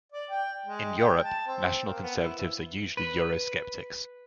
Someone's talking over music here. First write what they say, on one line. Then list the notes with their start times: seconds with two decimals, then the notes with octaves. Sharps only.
In Europe, national conservatives are usually eurosceptics.
0.12 D5
0.30 G5
0.66 G#3
0.97 G5
1.24 A5
1.47 C4
1.86 A#3
2.02 B3
2.20 E4
2.97 B4